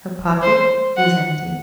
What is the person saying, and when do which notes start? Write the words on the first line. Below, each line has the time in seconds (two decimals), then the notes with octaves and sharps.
Her pocket was empty!
0.42 C5
0.97 F#5